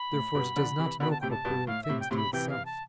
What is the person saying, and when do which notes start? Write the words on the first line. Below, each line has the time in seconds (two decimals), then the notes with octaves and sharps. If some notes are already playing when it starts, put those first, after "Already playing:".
Therefore it does not know corporeal things through itself.
Already playing: B5
0.13 A2
0.35 G2 B2
0.56 D3 F3
0.79 C3 E3
1.00 B2 D3 B5
1.11 A5
1.21 A2 C3 G5
1.31 A5
1.45 G2 B2
1.67 A2 F5
1.83 E5
1.89 A2 C3
2.00 G5
2.11 A2 C3 C6
2.17 B5
2.33 C3 E3 G5
2.49 F5
2.66 A5